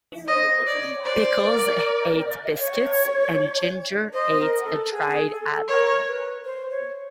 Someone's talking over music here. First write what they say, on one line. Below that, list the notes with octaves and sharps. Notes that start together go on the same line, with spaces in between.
Pickles ate biscuits and Ginger ate a dried haddock.
C5 C#5 D#5
C#5 D5
C5 D5
B4
A#4
C#5
C5 D#5
A#4
A4
G#4
A4
A#4 C#5
B4
C5
C#5